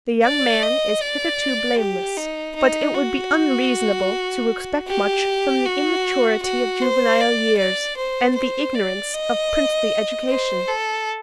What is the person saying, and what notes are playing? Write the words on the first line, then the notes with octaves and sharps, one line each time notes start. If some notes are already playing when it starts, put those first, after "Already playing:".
The young man is hitherto blameless; but it would be unreasonable to expect much from the immaturity of juvenile years, and the ignorance of princely education.
D5
D#5
D5
G4
D#4
D#4
F#4
G4
F#4
F#4
C5
D5
D5
C5
C5
D5
D#5
C5
A4